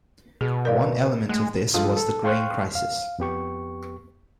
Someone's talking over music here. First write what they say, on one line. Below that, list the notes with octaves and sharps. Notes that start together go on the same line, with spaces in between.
One element of this was the grain crisis.
B2 G#4
A#4 D5 F5
G#3 A3
G2 F3 G#3 F4 A4 D#6
A4
F5 G5 C6 C#6 F6 F#6
F5
F2 B3 G4 C#6